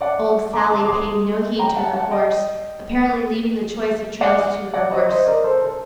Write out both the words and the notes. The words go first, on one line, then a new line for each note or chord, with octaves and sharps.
Old Sally paid no heed to her course, apparently leaving the choice of trails to her horse.
D5 F#5
A#5 D6
A5 C6
D6
C6 D#6
G5 A#5
F#5 A5
F#5 A5
D#5 G5
D5 F#5
D5 F#5
C5 D#5
C5 D#5
A#4 D5
A4 C5
A4